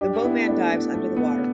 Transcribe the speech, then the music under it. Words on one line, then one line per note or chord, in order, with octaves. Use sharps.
The boatman dives under the water.
D4 G4
B3 E4
A3 D4
B3
A3
B3